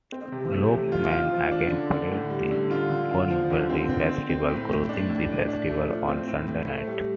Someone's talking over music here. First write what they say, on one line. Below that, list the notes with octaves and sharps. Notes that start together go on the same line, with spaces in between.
Lakeman again played the Cornbury Festival, closing the festival on Sunday night.
C4
C3
A3
C3
F4
F4
F3
D4
D3
D3
A2
G3
D3
F4
D3
F4
F3
D3
C4
C4
C4
C4
A2
A2
D4
A2
D4
D4
A3
F3
C4
A2
A2
A3
G3